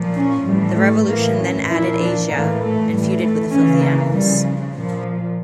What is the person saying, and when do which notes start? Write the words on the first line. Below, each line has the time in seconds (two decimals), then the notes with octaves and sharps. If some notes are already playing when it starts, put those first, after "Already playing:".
The Revolution then added Asya and feuded with The Filthy Animals.
Already playing: A#2 F3
0.16 C#4
0.47 A2 E3 G3
0.76 A3
1.07 A2 E3 A#3
1.38 C#4
1.68 A#2 F3 E4
2.00 D4
2.29 A2 E3 A#3
2.60 A3
2.90 A2 E3 G3
3.21 A3
3.51 C#3 E3 C#4
3.82 A#3
4.13 C#3 F3 G3
4.74 A#2 F3